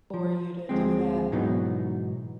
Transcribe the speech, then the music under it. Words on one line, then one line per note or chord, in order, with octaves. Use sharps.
for you to do that,
F3
D2 F3 G#3 C4
G#2 B2 E3 F#3 B3 D#4